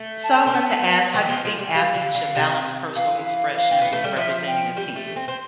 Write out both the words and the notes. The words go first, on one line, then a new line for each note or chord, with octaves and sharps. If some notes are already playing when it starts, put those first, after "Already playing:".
So I want to ask, how do you think athletes should balance personal expression with representing a team?
Already playing: A3
A5
C4
B3 A5
E3 G5
F3
F3
G3
G3 F5
D3
D3
C3
E3 F5
F5
F5
C4
B3
A3
G3
F3 E5
G5
G3
A3
C4
C4